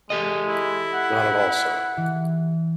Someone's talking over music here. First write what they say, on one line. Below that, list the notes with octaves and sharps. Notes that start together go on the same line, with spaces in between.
Not at all, sir.
G#3 G4 A4 D#5
E4
F#5
E3